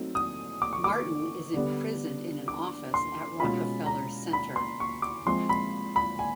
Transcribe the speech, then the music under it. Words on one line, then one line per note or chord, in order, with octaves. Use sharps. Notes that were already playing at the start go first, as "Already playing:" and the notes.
Martin is imprisoned in an office at Rockefeller Center.
Already playing: F#3 A3 C4 D#4
D#6
D6
C#6
D6
D3 G3 B3 D4
D6
C6
B2 G#3 C#4 F4 B5
A#5
B5
C6
C#6
D6
F3 G#3 C4 C6
B5
B5
G#5